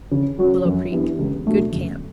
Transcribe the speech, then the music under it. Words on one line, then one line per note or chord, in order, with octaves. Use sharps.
Willow Creek.--Good camp.
C#3
F#3 C#4 F#4
F#2
E3 B3 D4 G4
C#2
B2 F#3 A3 D4
F#1